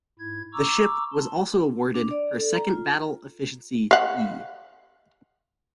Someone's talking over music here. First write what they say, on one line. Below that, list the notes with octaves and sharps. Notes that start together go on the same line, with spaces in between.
The ship was also awarded her second Battle Efficiency "E".
G#2 E4 G#6
A#5 C#6 D6 E6
A5 C6
D4
D5
A4
A#5
F4
F5 F#5